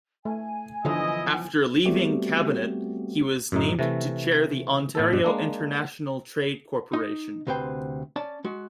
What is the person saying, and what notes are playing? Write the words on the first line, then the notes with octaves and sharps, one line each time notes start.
After leaving cabinet, he was named to chair the Ontario International Trade Corporation.
A3 G#5
B1 D3 E3 F3 E4 D#5
G3 A3 B3 C4 F#4 G4
F#2 A2 D#4
C3 E3 A3
A2 B3 A4
G2 B2
G#3 A#3 D4
D#4 D#5
D2 C3 B4 C5 G5
C#4 D5 A5
G#3 F#4